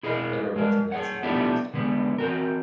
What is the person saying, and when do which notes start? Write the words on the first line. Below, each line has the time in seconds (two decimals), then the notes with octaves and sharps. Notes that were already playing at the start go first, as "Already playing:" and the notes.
Edward wanted Nancy but lost her.
0.03 E4 G#4 A#4 D#5
0.56 G#3 A#4
0.92 G#4 C#5 F#5
1.23 A3 B3 D4 E4 F4 G4
1.74 D3 G#3 B3
2.18 C4 F#4 A#4